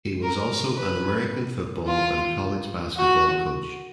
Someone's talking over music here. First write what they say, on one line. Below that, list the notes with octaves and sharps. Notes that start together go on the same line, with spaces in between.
He was also an American football and college basketball coach.
A#4
B4
F4
F#4